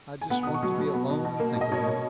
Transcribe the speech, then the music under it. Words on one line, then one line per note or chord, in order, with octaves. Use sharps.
I just want to be alone and think of him.
G#5
B3 F#5
B2 D#6
C#6
F#3
F#3
B3
B2
B2
A#3
B2
D#5
B2 C#5
B2